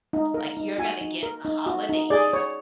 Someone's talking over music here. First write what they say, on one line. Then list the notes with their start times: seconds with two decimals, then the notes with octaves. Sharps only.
Like, you're going to get the holidays
0.13 D#4
0.34 A#4
0.57 D#4
0.78 F#4 G#5
1.01 D#4
1.23 A#4
1.45 D#4
1.66 F#4
1.89 D#4
2.10 G#4 D5
2.33 C#5